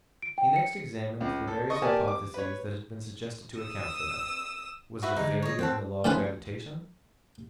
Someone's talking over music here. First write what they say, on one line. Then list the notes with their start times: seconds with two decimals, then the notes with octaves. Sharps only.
He next examined the various hypotheses that had been suggested to account for them:--Was it a failure in the law of gravitation?
0.22 D7
0.38 G5
0.56 C#7
1.21 C#2
1.47 A4
1.70 D#5 C#6 D#6
1.82 A#3 G4 A#4 D5 G#5 A5
2.08 D6
2.34 B4 C#5
3.59 D#6 E6
5.02 F#4 B4 E5
5.17 D3 G#3 D#4
5.42 C#5 D#5
5.59 C4 A4 F#5 G5
6.04 D#3 F3 A3 C#4 F4 B4